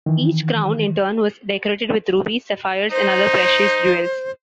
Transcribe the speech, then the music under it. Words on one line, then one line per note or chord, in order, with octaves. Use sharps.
Each crown in turn was decorated with rubies, sapphires and other precious jewels.
D#3 E3
D#4 C5